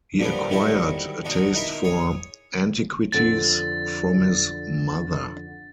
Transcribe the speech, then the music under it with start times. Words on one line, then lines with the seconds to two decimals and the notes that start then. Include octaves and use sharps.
He acquired a taste for antiquities from his mother.
0.19 A#2 D3 F3 G3 B3 C4
0.50 D#3 G3 E4 F#4 A4 C5
1.25 E2 D4 D#4 F#4
1.55 D#4 E4 A#4 E5
1.84 G#4 C#5
3.12 F2 D3 A6